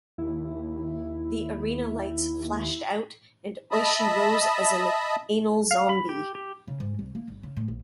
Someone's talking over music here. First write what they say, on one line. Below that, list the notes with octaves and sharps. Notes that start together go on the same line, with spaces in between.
The arena lights flashed out and Oishi rose as an "anal zombie".
D#2 E4
D#5 E5 A5 B5 D#6
F5
B5
G4
G4
C#3
G#2
C2
A#3
G1
C#3
A2
A#1